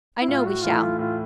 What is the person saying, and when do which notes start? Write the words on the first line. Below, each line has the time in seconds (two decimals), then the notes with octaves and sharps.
'I know we shall.
0.22 E4
0.28 A2 F4
0.46 F#4
0.64 E3 A3 F4
0.77 E4
0.82 F4
0.99 A2 F4